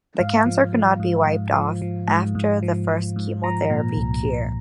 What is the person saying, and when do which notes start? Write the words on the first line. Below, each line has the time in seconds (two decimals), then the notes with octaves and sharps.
The cancer could not be wiped off after the first chemotherapy cure.
0.19 G#2 F5
0.46 F3
0.73 F3
1.00 G#2
1.26 G#2
1.54 F3
1.82 F3
2.08 G#2
2.35 G#2
2.63 F3
2.89 F3
3.16 G#2
3.44 F3 A#5
3.70 A#2
3.97 C2
4.24 C2